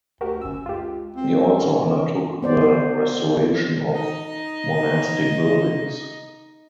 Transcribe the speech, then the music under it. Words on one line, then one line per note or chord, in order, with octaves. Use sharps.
He also undertook the restoration of monastic buildings.
D2 F#4 G4 A#4
G1 F#2 E6
C#2 F4 G4
C4
C#4
B3 C5 D5
D#4 D#5